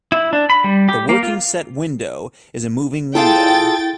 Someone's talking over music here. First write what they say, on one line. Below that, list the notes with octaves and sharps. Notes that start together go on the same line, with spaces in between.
The working set window is a moving window.
E4
D4
B5
G3
G4
A#3
F4
E4 F4 G#4 A4 G5 A6